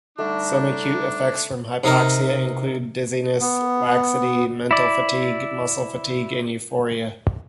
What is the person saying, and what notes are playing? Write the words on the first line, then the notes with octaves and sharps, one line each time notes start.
Some acute effects from hypoxia include: dizziness, laxity, mental fatigue, muscle fatigue and euphoria.
D3 G3 A3 D4 D#4
C3 D#4 A#4
B3
E4 D5